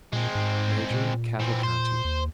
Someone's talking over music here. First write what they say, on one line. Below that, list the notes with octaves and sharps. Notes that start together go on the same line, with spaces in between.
"Major Cavalcanti."
A#2 G#3 C4
G#2
A#2
E3 C4
C5
D#2